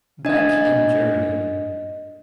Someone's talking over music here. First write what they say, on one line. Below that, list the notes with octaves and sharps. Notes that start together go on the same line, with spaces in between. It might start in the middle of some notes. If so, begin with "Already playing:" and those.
Beck in Germany.
D4 D#5